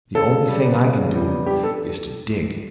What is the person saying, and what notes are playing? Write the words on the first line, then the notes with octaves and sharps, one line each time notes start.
The only thing I can do is to dig.'
C#3 A4
C#3
G3
B3
C#3
C#3
G3
B3
D4 G4
A4